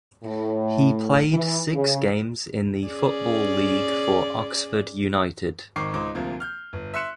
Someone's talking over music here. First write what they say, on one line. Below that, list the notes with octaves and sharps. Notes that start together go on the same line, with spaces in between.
He played six games in the Football League for Oxford United.
A2
E3
C#3
C#4 G#4 D5
G#1 D#3 C#6 D6 C7
C#2 D#4 C5 D6
D2 C3 F3 A#3
F6 G6
G1
E5 C6 F#6 C#7 E7